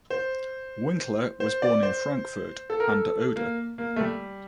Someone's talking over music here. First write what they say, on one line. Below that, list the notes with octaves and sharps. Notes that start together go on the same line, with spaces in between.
Winkler was born in Frankfurt an der Oder.
C5
C5
D5
C5
A4
A#4
A4
A#3
A#3
A3
G3